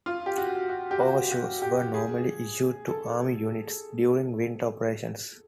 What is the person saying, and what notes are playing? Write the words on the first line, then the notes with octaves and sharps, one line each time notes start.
Overshoes were normally issued to Army units during winter operations.
F4
G4
F#4
F#4
G4
F#4
F#4
G4
G#4
A4